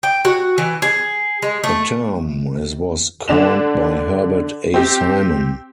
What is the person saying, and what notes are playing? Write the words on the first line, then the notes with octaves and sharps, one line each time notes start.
The term is was coined by Herbert A. Simon.
G5
F#4
E3
G#4
G#3
A3
D3 D4 E7 F7
C4 G4